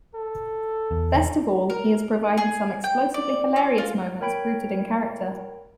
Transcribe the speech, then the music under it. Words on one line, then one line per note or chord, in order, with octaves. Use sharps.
Best of all, he has provided some explosively hilarious moments rooted in character.
A4
E2
A#4
G#4
G5
D5
C4
F4
A#4 C#5 G5 B5 G#6 D7